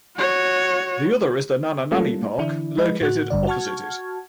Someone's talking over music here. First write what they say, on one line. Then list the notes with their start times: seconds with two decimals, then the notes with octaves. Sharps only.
The other is the Nana Nani Park, located opposite it.
0.17 F#4 C#5
1.91 G3 A3 A#3 C#4 F4 A4
2.38 D3 E3 D4 E4
2.77 F3 G#3 B4 D#5
3.01 A2 F#4 F#6
3.30 G#1 G2 D3 D5
3.47 F#4 F#5 A5 C#6 F6 G#6